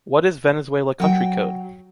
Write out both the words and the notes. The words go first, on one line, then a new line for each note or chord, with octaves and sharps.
What is Venezuela country code?
F#3 G5